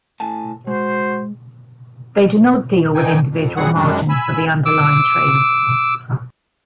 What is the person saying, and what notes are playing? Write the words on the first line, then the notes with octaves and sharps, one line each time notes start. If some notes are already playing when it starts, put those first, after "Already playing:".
They do not deal with individual margins for the underlying trades.
A2 G#5 A5
G#3 F#4 C5
D3 E3 D#4 G5 G#5
F2
F#2 A#2 G3 C4 G#4 F#5
F#2 D#3 G3 G#3 D4
G#5 B5 E6
D6 E6